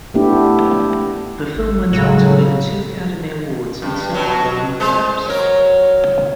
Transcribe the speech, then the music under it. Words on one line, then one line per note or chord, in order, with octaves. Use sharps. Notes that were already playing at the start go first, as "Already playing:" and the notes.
The film went on to win two Academy Awards and several Golden Globes.
A3 B3 D4 E4 G4
G#1 A4
A2 C#3 F#3
G2
B2 F#3
G#3 C5
F#3 A#4 C#5